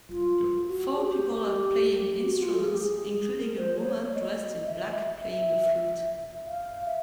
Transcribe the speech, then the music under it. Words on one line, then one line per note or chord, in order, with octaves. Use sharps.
Four people are playing instruments, including a woman dressed in black playing a flute.
F4
F#4
G#4
G4
F#4
F4
A4
G#4
G4
G#4
A#4
C5
C#5
D5
D#5
D#5
E5
D#5
E5
E5
E5
F5
E5